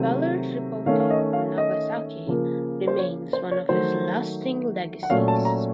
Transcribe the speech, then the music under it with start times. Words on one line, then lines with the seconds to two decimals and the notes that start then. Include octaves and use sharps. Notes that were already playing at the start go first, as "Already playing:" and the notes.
Weller's reporting on Nagasaki remains one of his lasting legacies.
Already playing: C3 D#3 F#3 A3 C4
0.86 D#3 A3 C#4 F5
1.00 F5
1.10 D#5
1.33 F5
1.58 D#5
2.27 C#3 F3 A#3
2.87 C5
2.99 C#5
3.33 C5
3.51 C#5
3.69 D#3 F#3 A3 C5
5.03 F#5
5.10 A#2 F#3 A3 C#4 F5
5.28 A5
5.45 A#5